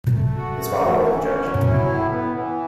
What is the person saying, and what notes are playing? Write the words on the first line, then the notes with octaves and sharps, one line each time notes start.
His father was a judge.
A3
F#4
C#3
A3
E3
C#4
F#3
E4
A2
B3
E3